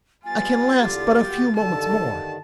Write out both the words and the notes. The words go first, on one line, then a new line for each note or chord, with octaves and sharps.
I can last but a few moments more.
G3 B3 F4 G#5 A6
E2 D3 G4
D2 F#4 G5
G2 D3 D#3 A4 A5